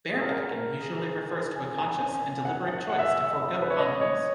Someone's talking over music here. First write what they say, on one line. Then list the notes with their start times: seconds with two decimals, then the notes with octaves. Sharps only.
"Barebacking" usually refers to a conscious and deliberate choice to forgo condoms.
0.12 G#4
0.21 A#4
0.51 A#4
0.81 G#4
1.12 G#4
1.33 A#4
1.56 G#5
1.78 G#5
2.01 G#5
2.23 G#5
2.45 F#5
2.68 F#5
2.90 F#5
2.99 E5
3.08 D#5
3.16 E5
3.62 B4
3.70 C#5
3.79 D#5
4.01 C#5